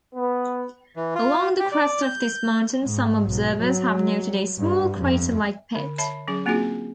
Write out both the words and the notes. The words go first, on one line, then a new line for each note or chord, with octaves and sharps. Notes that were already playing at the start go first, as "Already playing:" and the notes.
Along the crest of this mountain some observers have noted a small, crater-like pit.
B3
E3
F4
G4
D5
G6
G#2
B1
F#3
G2
F2
D3
C#5 E5 A5 B5
F#3 C#4 G#4
A#3 C4 D4 F4 F#4 G#4